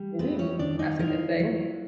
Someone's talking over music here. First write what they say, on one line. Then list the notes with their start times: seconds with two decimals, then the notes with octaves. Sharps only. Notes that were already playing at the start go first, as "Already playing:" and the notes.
Ooh, that's a good thing.
Already playing: G3
0.19 B3 C4 B4
0.39 C#4 C#5
0.59 D#3 D4 D5
0.79 D#4 D#5
0.99 E4 F4 F5
1.40 F#3